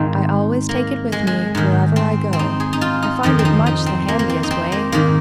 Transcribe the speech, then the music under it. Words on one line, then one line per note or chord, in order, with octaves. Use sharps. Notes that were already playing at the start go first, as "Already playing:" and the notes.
"I always take it with me wherever I go; I find it much the handiest way."
Already playing: G#2 D#3 C4 D#4 F4
A#3
G#3
G#3
G#2 D#3
C4
C4
D#4
G#4
D#4
F4
D#4
F2 D#3 D#4
C4
D#4
D#4
C4
A#3
A#3
C4
D#4
C4
A#3
G#2 D#3 A#3